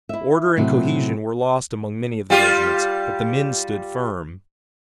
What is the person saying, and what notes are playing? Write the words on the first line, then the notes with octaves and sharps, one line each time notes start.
Order and cohesion were lost among many of the regiments, but the men stood firm.
E4 E5
A2 C3 F#3
G3 F4 G4